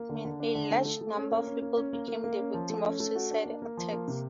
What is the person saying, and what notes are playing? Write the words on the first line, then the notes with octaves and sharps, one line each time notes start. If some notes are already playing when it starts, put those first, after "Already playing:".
A large number of people became the victim of suicidal attacks.
Already playing: A#3
D3
D3
D4
D3
A3
A3
A3
C#4
A#3
C#4
A#3
C#4
A#3
A#3
A#3
C#4
F3
A3
C#4
A3
F#4
D4
A#3
A#3
F3
A#3
C3